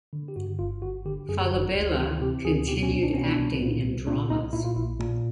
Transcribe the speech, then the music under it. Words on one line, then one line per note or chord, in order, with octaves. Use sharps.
Falabella continued acting in dramas.
D3
G4
G2 F#4
G1 F4
G1 F#4
D3 G4
F#2 G#4
G4
G1 F#4
F#4
D2 G4
E3 G4
C3 G4
D2 G#4
B2 G4
C#4
C2 D4
D4
B2 C#4
D4
C2
A#2
C2
A#2 D4
C2 D#4
A#2 E4
F4
A#1 E4
A#2